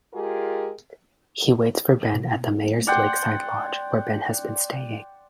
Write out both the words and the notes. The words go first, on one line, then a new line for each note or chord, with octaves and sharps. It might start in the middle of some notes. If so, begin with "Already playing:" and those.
He waits for Ben at the mayor's lakeside lodge, where Ben has been staying.
G#3 F4 G4 G#4 A#4
B2
D5 F#5 G5 C6